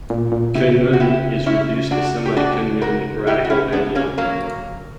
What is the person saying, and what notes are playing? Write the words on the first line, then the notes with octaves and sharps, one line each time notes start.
Quinone is reduced to a semiquinone radical anion.
A#2
A#2
C#3 E4 G4
F#4
E4 G4
C#4 E4
D4 F#4
G4
D4 F#4
F#4 A#4
E4 G4
F#4
C#4 E4
B3 D4
A#3 C#4
D3 F#3 A#3
E3
D3